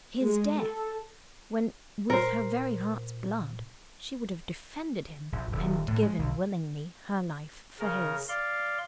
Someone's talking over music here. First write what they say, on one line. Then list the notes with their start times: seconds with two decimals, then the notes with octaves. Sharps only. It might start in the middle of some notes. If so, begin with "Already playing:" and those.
His death! when with her very heart's blood, she would have defended him and given willingly her life for his.
0.23 G#3
0.59 A4
2.10 A#2 A#4 C5
5.32 A#1
5.52 D#1
5.88 A2
6.03 G#3
6.19 B1
7.80 C#3 A#4
8.28 D5 F5 C6